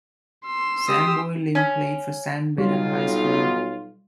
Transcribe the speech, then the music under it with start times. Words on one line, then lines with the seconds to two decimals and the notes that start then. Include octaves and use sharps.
Samboy Lim played for San Beda High School.
0.46 C6 E6
0.87 G4 D#6
1.55 C#4
2.58 B1 G3 F4